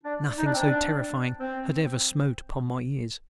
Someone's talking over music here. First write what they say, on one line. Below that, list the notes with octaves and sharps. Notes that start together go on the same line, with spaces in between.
Nothing so terrifying had ever smote upon my ears.
D4
D#4
D4
C4
D4
C4